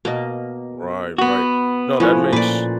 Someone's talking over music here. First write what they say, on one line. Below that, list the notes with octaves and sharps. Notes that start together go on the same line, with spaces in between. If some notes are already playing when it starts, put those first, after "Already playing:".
Right, right. No, that makes
B2 A#3 D#5
B3 F#4
A2 F3 C#4 F#5
A#2 B4 D5